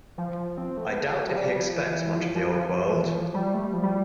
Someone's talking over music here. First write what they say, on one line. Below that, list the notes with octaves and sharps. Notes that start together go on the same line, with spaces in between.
I doubt if he expects much of the old world.
F3
C4
A3
B3
A3
F3
G3
F3
E3
F3
F3
F3
F3
E3
F3
G3
A3
G3
F3
G3